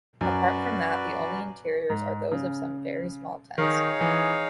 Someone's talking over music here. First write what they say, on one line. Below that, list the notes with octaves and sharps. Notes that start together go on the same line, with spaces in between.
Apart from that, the only interiors are those of some very small tents.
F#2 F#4 B4 D5
G#2
C#3
D#3 D#4 G#4 C#5 F5
E3